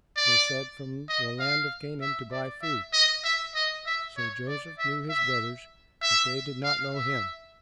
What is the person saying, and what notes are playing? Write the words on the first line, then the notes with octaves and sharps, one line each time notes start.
They said, "From the land of Canaan to buy food." So Joseph knew his brothers, but they did not know him.
D5
D#5
F5
E5
D5
E5
D#5
E5
D#5
E5
C#5
D5
E5
E5
E5
F5
E5